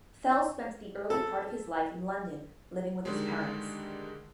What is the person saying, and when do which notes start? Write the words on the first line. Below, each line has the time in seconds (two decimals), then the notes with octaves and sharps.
Fell spent the early part of his life in London, living with his parents.
1.10 A4
3.05 D3 D#3 G3 G#3